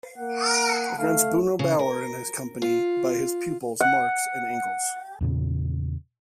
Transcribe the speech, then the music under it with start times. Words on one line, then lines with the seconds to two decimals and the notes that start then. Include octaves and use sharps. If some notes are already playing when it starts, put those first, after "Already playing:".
Against Bruno Bauer and Company by his pupils, Marx and Engels.
0.18 A#3 F#5
0.98 A3 F5
1.59 C#3
1.79 A#4
2.62 F4
3.81 F#5
5.21 E2 A#2 C#3